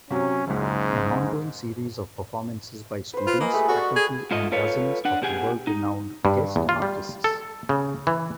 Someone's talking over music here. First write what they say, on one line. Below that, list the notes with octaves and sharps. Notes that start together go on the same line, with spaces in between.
An ongoing series of performances by students, faculty and dozens of world-renowned guest artists.
C3 F#3 C#4
F#1 C#2 G#2
B4 C5
F4 B4
A#3 D#5 G#5 B5
A3 G4 G#4
F#4 A4 D5 C#6
G#4
G#2 A3 F4 A4 D#5
F4 A4 B4 C#5 F5
D4 F#5
B2 B3 G4 G#4 F#5 G#5
D#4
G2
E2
F4
G3
A4
C#3
E3